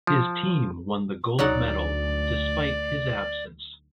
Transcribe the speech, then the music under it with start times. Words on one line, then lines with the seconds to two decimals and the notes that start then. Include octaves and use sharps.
His team won the gold medal despite his absence.
0.07 F3
1.39 D2 F#3 D#4 D5 F#5